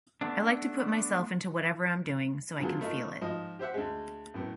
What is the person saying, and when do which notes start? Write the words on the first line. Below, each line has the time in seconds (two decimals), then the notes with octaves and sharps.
I like to put myself into whatever I'm doin' so I can feel it.
0.21 A3 B3 D4
2.60 D3 F#3 B3 F4 G#4
2.81 A3 D#4 F4 A#4
3.21 G#2 F3 D#5
3.59 G4 C5 E5 F#5
3.74 D2 G#3
4.34 F#2 A2 B3